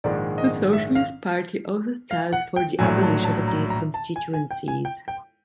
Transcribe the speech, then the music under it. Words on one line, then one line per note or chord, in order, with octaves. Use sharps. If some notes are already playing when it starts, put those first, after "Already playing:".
The Socialist Party also stand for the abolition of these constituencies.
A#1 G#2 D#3 G#3 D5
D#5
E5
F5
F5
F#5
G5
A#1 A2 F#3 G#5
A5
A5
A#5
A#5
A5
G#5
G#5
G5
G#5
G5
G5